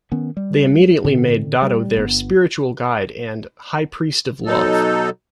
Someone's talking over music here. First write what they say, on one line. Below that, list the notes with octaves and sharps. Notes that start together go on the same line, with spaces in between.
They immediately made Dado their "spiritual guide" and "high priest of love".
D#3 B3 C#4
G3
A2 D3 C4
G3
G1 B3
B2 F#3 D#4 A4